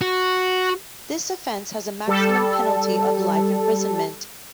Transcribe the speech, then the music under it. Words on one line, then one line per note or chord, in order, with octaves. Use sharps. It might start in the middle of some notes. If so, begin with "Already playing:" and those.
This offence has a maximum penalty of life imprisonment.
F#4
G3 A4